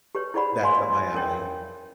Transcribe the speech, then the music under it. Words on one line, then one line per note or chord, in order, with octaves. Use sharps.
that's up my alley.
G4 B4 C#5
E4 G#4 C5 D5 F#5 B5
B4 F5 G#5 C6
C#4 A#4 C#5 G5